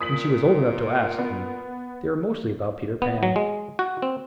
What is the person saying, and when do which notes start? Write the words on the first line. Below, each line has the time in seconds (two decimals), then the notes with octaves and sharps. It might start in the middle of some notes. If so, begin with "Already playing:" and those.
When she was old enough to ask them they were mostly about Peter Pan.
0.01 A#2 D#6 B6 F#7
1.19 B3
3.02 B3
3.23 F#3
3.36 G#3
3.79 F#4
4.02 C4